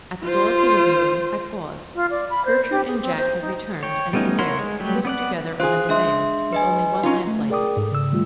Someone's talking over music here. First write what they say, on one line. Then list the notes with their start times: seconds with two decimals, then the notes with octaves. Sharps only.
At the door of the living-room I paused. Gertrude and Jack had returned and were there, sitting together on a divan, with only one lamp lighted.
0.23 F4 C5
1.95 F4
2.11 D5
2.30 B5
2.45 C5
2.71 G4
2.87 G#4
3.01 C4
3.17 C5
3.41 D#4
3.83 C#5 G5
4.13 G3 A3 B3 C#4 D#4
4.39 E4 A#4 C#5 F#5 C6
4.59 G#3
4.80 F#3 G3 A3 G4
5.05 B3 D5 F#5
5.60 F4 G#4 C5 F#6
5.89 G#3 D4 E5 C6
6.53 B4 D#5 G#5
7.03 C#4 D#4 F4
7.27 A3
7.50 G#4 A#4 D5 G5 D6 D#6
7.77 G#2 A4
7.92 C#3 E6
8.12 D#3 G3 A3 F4